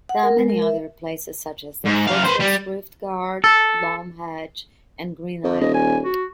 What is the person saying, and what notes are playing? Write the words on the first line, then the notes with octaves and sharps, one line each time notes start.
There are many other places, such as the fortress Riftgard, Loamhedge, and Green Isle.
F#5
A#4
G#3
A#4
E5
G#2
F#2 F5
B4 C5
G3
A4
F2
D#1 D#5
G#5
F#4